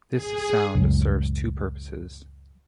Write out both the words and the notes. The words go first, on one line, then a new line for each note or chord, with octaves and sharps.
This sound serves two purposes.
G#4
C#2 F#2 A2